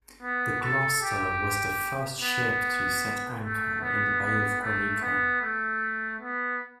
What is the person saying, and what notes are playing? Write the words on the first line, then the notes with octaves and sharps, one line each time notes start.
The "Gloucester" was the first ship to set anchor in the Bay of Guanica.
B3
A4
G4
B3
A3
B3
B3
A3
B3
A3
B3